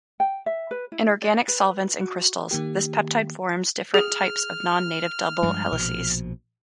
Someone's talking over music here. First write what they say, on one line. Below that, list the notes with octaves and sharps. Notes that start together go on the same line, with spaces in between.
In organic solvents and crystals, this peptide forms different types of non-native double helices.
G5
E5
B4
E4
D5
B4
F#4
D#3 A#3 G4
G#4 F6
G2 F3 G#3
A#1 B2 F3